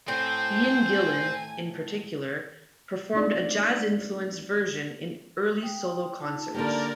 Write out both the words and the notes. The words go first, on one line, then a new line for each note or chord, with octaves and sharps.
Ian Gillan in particular performed a jazz-influenced version in early solo concerts.
A2 C4 C5 G#5
A3 C4 D4 D#4 F4 D5
G5 D#6
D#4 F4 A5
D3 A#3 G4 A#4 D5